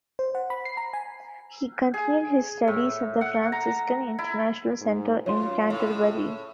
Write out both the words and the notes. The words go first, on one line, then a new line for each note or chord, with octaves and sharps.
He continued his studies at the Franciscan International Centre in Canterbury.
C5
F#5
B5
C7
A#5
G#5
G#4
A2
F#5
A#5
E4
G#2
F#2 F4 C#5 C6
A2 C#3